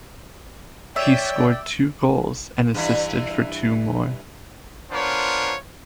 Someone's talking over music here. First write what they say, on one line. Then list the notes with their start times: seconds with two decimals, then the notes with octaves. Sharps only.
He scored two goals and assisted for two more.
0.96 C#5 D5 E5 G5
2.74 G2 E3 E4
4.91 B3 D4 F4 A#4 C5 C#5